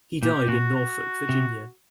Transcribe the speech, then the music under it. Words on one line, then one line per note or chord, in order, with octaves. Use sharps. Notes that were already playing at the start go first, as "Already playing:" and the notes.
He died in Norfolk, Virginia.
A#2 G4
A#2 F#4
F#4
C3